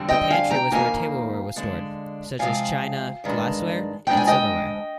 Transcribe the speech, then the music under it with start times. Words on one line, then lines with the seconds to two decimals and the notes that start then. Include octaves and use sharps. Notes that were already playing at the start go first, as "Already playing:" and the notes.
The pantry was where tableware was stored, such as china, glassware, and silverware.
Already playing: F2 D3 G3 C4
0.08 D#5 G5
0.30 F5 G#5
0.51 G5 A#5
0.71 F2 D#3 A#3 F5 G#5
1.56 D3 G#3 D4
2.39 C3 F3 G#3 C4 F5 G#5
3.24 G2 D#3 G#3 D4
4.07 F2 D3 G#3 D4 G5
4.17 G#5
4.27 D#5 G5